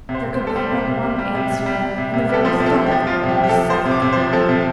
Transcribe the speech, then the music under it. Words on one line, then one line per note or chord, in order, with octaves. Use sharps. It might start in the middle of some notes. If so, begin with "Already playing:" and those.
There could be but one answer, and the very thought of it almost suffocated her.
C3
C5
C3
C5
G3
A4
G3 C5
C3
C3
G3
G3
C3
C3
G3
G3
C3
C3
G3 A4
F3 C5
C3
A4
C3
G4
F3
F3 F4
C3
G4
C3 G4
A4
F3
F3 C5
C3
D6
C3
C5
F3
F3 A4
C3